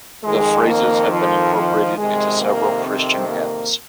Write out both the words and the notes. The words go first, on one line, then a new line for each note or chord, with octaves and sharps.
The phrases have been incorporated into several Christian hymns.
F2 D#3 G#3
A#3
F3
F3
F2 C3 D#3 G#3
A#3
C4
A#3